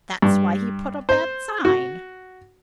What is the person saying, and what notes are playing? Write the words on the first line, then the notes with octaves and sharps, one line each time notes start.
That's why he put up that sign.
G2
C5
F#4